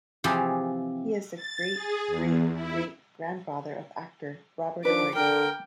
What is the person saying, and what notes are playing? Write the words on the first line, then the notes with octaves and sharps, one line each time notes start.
He is the great-great-great grandfather of actor Robert Hardy.
C3 E3 F3 G4 G#4
A6
G#4
E2
E4
D#3 F3 D4 B4 D6
D3 A#4 G5